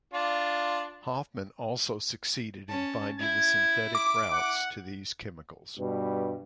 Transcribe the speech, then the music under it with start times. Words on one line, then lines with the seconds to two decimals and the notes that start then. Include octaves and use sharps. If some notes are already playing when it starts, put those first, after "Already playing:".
Hofmann also succeeded in finding the synthetic routes to these chemicals.
0.13 D4 F4
2.69 C#4 A5
3.20 E4 G#6
3.95 D6
4.33 F#5
5.79 G2 B2 G3